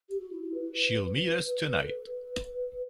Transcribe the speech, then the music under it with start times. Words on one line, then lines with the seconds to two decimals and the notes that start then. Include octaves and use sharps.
She'll meet us tonight.
0.09 G4
0.20 F#4
0.32 E4
0.43 E4
0.54 B4
1.82 A4
1.88 B4